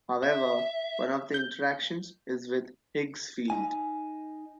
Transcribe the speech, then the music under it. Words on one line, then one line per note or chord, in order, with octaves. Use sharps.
However, one of the interactions is with Higgs field.
E5
G6
D#4 G#5